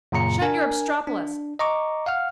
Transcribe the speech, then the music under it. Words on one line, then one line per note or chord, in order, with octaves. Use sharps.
Shut your obstropolos.
F#2 A#2 C#3 A#5 C#7
D4 A#4 G#5
D4
D#5 A#5 C#6 D6
F5 F#5 F6